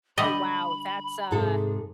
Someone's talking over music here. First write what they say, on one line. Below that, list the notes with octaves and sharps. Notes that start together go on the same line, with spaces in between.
Oh, wow, that's a
D3 G3 D#5 B5
G#2 C3 G#4 A4